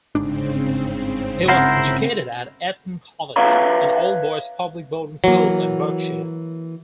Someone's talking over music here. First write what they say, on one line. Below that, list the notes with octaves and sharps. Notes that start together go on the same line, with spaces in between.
He was educated at Eton College, an all-boys public boarding school in Berkshire.
G1 G#2 C#3 C4 D4
E4 A#4 C5 F#5
B4 C#5 E5 F5 A#5 B5
E3 F#3 A#3